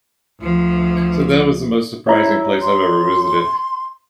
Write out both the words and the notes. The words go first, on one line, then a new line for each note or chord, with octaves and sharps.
So that was the most surprising place I've ever visited.
D2 F3
E4 C#5 E5 A#5
C6